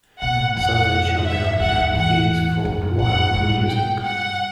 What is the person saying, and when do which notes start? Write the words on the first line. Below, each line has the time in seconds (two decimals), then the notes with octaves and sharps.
Savage, on the other hand, is for "wild" music.
0.21 B2 F#5
0.34 A#2
0.38 A2
0.56 F2 F#5
1.26 E5
1.60 E2 F#5
1.77 E2
1.95 E2 F#5
2.65 F2
2.81 F#2
2.99 E2 F#5
3.11 F2
3.34 G#2
3.52 G2
3.68 G5
4.04 F#5